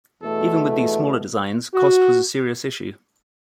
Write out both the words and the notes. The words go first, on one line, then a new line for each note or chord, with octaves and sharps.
Even with these smaller designs cost was a serious issue.
E2 B2 A3 A4
F#4